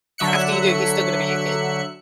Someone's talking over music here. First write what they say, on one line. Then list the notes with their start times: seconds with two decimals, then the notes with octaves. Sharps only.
After you do, he's still gonna be your kid.
0.18 D3 F#3 E5 F#6 C#7